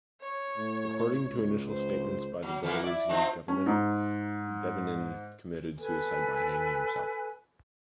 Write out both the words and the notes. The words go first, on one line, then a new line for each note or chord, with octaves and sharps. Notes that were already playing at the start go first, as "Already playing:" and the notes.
According to initial statements by the Belarusian government, Bebenin committed suicide by hanging himself.
C#5
A2
C#2
C5
F#3
E3 A#3 B3
E4 D5
F3 C4 D#4
C#4
G#2
A4 B4 G#5